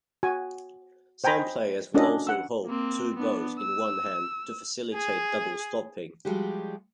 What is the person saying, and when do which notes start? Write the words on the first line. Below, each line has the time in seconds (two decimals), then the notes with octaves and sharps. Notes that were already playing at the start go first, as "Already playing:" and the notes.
Some players will also hold two bows in one hand to facilitate double-stopping.
0.23 F#4 G#5
1.24 C5 G5 G#5 A#5 B5
1.38 D#5
1.94 C#4 D4 F#4 A4 A#4 D#5
2.27 F#5 E6
2.66 A#3 C4
3.14 B3 D4
3.59 E6
4.94 G#4
6.25 F3 G3 G#3 F#4 G4